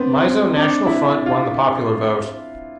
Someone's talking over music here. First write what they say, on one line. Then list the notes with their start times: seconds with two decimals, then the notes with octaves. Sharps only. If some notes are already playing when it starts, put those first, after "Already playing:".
Mizo National Front won the popular vote.
Already playing: B3 C4 D4
0.27 C4
0.56 D4
0.87 E4
1.26 F4